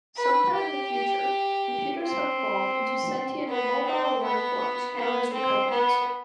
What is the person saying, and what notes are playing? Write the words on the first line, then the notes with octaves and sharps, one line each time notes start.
Sometime in the future, computers have evolved into sentient, mobile life-forms known as 'Rakonans'.
B4
G4
C4
B3
C4
B3
B3
C4
B3